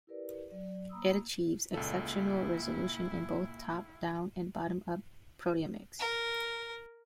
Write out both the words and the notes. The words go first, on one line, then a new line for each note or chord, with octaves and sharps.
It achieves exceptional resolution in both top-down and bottom-up proteomics.
E4 G4 A#4 B4 D5
F#3 D5
A#3 A#5 B5 D#6 E6
C#2 A#2 E4 A4
A#4